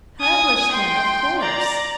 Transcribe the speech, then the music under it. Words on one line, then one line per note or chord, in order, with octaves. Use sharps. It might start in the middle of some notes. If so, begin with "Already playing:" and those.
"Publish them, of course."
G#5 D#6
G5 C6
D5 A#5